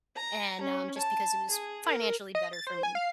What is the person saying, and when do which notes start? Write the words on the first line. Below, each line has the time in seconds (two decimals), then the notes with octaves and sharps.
and, um, just because it was financially better for me,
0.16 A#5
0.61 C#4
0.98 A5
1.50 G#4
1.87 A#4
2.35 D#5
2.53 A6
2.67 C5
2.83 G#5
2.95 F5